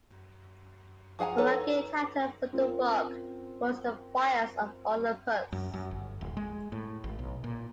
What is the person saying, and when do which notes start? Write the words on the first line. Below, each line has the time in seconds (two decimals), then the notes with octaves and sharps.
The working title for the book was "The Fires of Olympus".
1.19 F3 G#4 F#5 G#5 A#5
1.38 D#4 A4 B4 C#5
2.53 C4 C#4 F4 A#4
5.52 F#2
5.74 F#2
5.91 G1
6.21 D#1
6.37 G#3
6.72 A2
7.04 G#1
7.19 B1
7.44 A#2